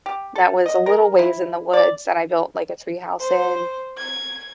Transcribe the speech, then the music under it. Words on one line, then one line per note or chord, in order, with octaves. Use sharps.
that was a little ways in the woods that I built, like, a tree house in,
G4
A4
D#5
A#4
E4
D5
C5
G#6